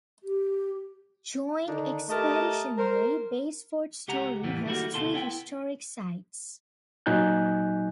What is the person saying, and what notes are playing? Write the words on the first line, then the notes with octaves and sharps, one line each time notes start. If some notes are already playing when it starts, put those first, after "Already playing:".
Joint Expeditionary Base Fort Story has three historic sites.
G4
D3 D#3 D4 D#4
A3 G4 A#4 D#5 E5 A5
A#4 C5
C#2 G4 F#5 A#5
F2 A2 E3 G3 A#3 B3
D#3 G3 A3 A#3 E4 F#4
D2 G#2 B2 F4 A4 C6
B3 E4 F#5 G5
A#2 F#3 D#4 G#5 F#6 G6